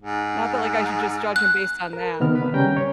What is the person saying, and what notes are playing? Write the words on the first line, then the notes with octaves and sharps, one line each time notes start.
Not that, like, I should just judge him based on that, but
G#2
F#6
A#4
C3 D#3 B3 F6
B4 B5
C#3 G3 C#4 G5 A#5 G6
C#5